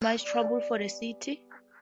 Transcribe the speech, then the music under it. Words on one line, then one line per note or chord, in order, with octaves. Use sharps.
This intense migration caused much trouble for the city.
G3 B3 G#4 D5